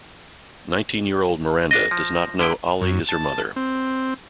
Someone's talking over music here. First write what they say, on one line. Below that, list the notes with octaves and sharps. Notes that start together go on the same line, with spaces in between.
Nineteen-year-old Miranda does not know Oly is her mother.
G#1 D4 D#5 A#6
F3
D3 E4 G5
F#2
A5
C4